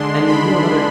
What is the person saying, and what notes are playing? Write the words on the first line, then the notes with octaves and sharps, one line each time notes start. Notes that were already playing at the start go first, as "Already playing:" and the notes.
and then you know another
Already playing: D3 G#3 D4 C6
B5